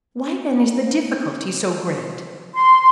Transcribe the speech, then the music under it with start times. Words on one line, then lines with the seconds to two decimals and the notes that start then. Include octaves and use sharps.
"Why then is the difficulty so great?"
2.54 C6